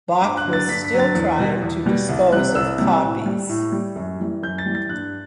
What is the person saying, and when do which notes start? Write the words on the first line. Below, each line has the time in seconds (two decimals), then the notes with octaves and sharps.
Bach was still trying to dispose of copies.
0.21 G2 D6
0.37 F#6
0.44 D3 F#3
0.53 A6
0.69 G2 B6
0.84 B6
0.92 D3 F#3
0.99 A6
1.15 E2
1.39 B2 G3
1.62 E2
1.86 B2 G3
2.09 C2
2.32 C3 G3 F#6
2.55 C2 E6
2.78 C3 G3
3.02 A2
3.26 G3
3.49 A2
3.72 G3
3.96 F#2
4.20 E3 G3
4.43 F#2 G6
4.58 A6
4.66 E3 G3
4.75 A6
4.89 G2 F#6